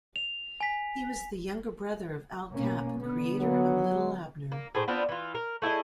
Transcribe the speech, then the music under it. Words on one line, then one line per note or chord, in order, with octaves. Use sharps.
He was the younger brother of Al Capp, creator of "Li'l Abner".
F7
G#5 B6
B2 A#3 C#4
D3 B3
F#3
A#3
A2 G#4 C5
B3 C4 D4 F4
E3 F4
A#4
A3 E4 G#4 D#5